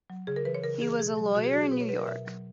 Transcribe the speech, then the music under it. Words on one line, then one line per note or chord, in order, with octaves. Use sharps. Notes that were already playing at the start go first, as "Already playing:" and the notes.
He was a lawyer in New York.
F#3
C#3 G#4
A#4
E3 B4
C#5
C#3 A#4
E3 G#4
B2 G#4
F#3
B2 F#4
G#4
F#3 F#4
G#4
B2 B4
C#5
F#3 B4
A#4
B2 E5
F#3